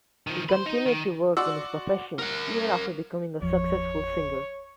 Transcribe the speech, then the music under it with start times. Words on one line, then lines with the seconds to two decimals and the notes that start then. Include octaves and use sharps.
He continued to work in his profession even after becoming a successful singer.
0.27 D#3 F3
0.49 B4 C5
0.66 D#4
0.86 D#3
1.37 F#4 D5 C6 E6
2.19 A#4 F#5
3.42 G1 E2 F3 C#5